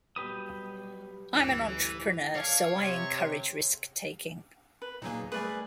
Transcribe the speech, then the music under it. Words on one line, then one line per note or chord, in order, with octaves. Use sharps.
I'm an entrepreneur, so I encourage risk-taking.
B2 F#3 G3 G4 B4 D#6
A1 D2 G2 E3
A4 C#5 D5 F5
C3
B4
A#2 F#3 A#3 D#4 G#4
G3 A3 G#4 B4 D5 G#5